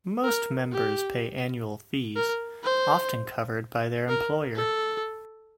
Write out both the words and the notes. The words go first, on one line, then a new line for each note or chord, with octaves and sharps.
Most members pay annual fees, often covered by their employer.
A#4
G4
A#4
C5
A#4
A4